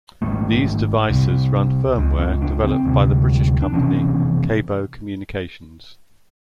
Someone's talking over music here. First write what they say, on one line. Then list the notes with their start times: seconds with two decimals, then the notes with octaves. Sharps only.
These devices run firmware developed by the British company Cabot Communications.
0.22 G#1 G#2 A3
1.10 C2 C3
1.98 C#2 C#3
2.20 C4
2.42 D4
2.63 C4
2.85 D2 C3
3.62 D4
3.73 E1 E2 C3 C#4